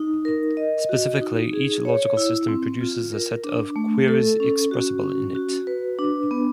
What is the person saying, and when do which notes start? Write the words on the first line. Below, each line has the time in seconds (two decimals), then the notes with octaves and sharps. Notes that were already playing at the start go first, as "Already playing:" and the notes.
Specifically, each logical system produces a set of queries expressible in it.
Already playing: D#4
0.25 A#4
0.57 D#5
0.89 F#4
1.21 D#4
1.53 G#4
1.85 C#5
2.17 E4
2.48 C4
2.81 F4
3.12 A#4
3.44 D4
3.76 A3
4.08 A4
4.40 C#4
4.71 F#4
5.03 C#4
5.35 F#4
5.67 B4
5.99 D4
6.31 B3